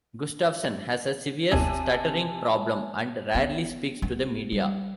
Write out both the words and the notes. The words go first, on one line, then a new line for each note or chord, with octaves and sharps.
Gustafson has a severe stuttering problem and rarely speaks to the media.
G1 D#2 C3 G#5 A5 G#6
B3
B3
G3